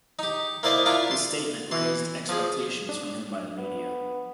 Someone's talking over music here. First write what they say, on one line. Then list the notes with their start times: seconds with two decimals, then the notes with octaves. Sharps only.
This statement raised expectations from him by the media.
0.19 D#4 G4
0.63 A#3 E4 C5 D5 D#5
0.86 D4 E4 F4 F5 A#5
1.11 C6
1.71 E3 C6
2.29 F3 G#4
2.89 D4
3.58 B3